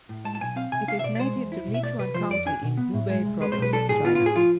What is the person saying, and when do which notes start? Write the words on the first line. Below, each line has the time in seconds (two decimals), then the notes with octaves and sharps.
It is native to Lichuan county in Hubei province, China.
0.09 A2
0.25 G#3 A5
0.35 A5
0.41 B1 G#5
0.56 C4 F5
0.72 C3 G#5
0.88 D4 F5
0.99 E5
1.04 B2 D5
1.15 D5
1.20 G#3 C5
1.36 E2
1.52 E4
1.67 B2
1.74 E5
1.83 A3 D5
1.99 C3 B4
2.14 F3 C5
2.30 F2 D5
2.46 D4 G#5
2.63 B2
2.77 B3
2.94 A2
3.10 G#3
3.25 C2
3.41 G#3 B4
3.52 C5
3.57 B1
3.62 B4
3.73 D4 A4
3.89 A2 G#4
4.05 B3 F4
4.15 F4
4.20 A2
4.26 G#4
4.36 F3 F4